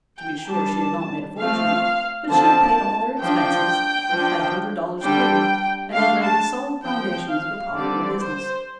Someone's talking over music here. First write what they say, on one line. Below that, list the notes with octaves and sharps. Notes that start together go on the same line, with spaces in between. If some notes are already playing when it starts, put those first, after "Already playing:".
To be sure, she had not made a fortune; but she had paid all their expenses, had a hundred dollars clear, and had laid the solid foundations of a profitable business.
G5
G3 D4 A5
F3 A3 C4 F5
D3 F3 C4 A5
F3 D4 G5
F3 D4
D3 G3 D4 G5
D3 A3 D4 F5
A5
F3 C4 G5
F5
D3 G3 C4 D5
C5